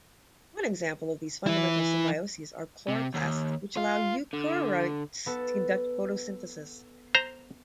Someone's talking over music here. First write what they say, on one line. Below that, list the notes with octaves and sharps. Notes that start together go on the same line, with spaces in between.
One example of these fundamental symbioses are chloroplasts, which allow eukaryotes to conduct photosynthesis.
E3 E4
C3
D#2
F4
D3
B3 A4
C5 A#5